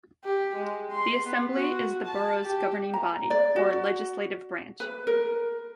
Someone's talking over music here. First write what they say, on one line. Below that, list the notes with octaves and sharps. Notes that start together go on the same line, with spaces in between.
The assembly is the borough's governing body, or legislative branch.
G4
G#3
C6
B3
F#4
A5
G4
A#5
D5
F#4
B4
A#4